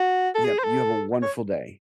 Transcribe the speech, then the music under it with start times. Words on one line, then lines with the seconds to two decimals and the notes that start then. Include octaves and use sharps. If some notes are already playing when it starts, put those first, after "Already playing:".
Yep, you have a wonderful day.
Already playing: F#4
0.35 A4
0.45 G#4
0.59 C5
0.64 A4
1.22 C#5